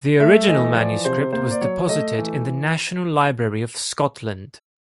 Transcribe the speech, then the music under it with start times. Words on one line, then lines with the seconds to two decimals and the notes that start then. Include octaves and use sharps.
The original manuscript was deposited in the National Library of Scotland.
0.20 A3 E5
0.48 E3 D#5
0.76 F3 D5
1.05 C3 C5
1.33 A#3 C5
1.51 D5
1.61 F#3 C#5
1.89 A3 D#5
2.18 E3